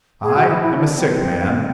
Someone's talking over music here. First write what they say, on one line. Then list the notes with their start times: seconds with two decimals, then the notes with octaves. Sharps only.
I am a sick man....
0.24 G#4
0.36 F#4
0.49 E4
0.61 E4
0.78 D4
0.96 C4
1.09 B3
1.15 C4